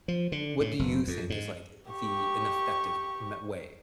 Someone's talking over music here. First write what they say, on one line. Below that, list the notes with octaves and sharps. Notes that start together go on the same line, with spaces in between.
What do you think is, like, the ineffective me way,
F3
D3
A2
F#1
F2
G#2
G4 C#6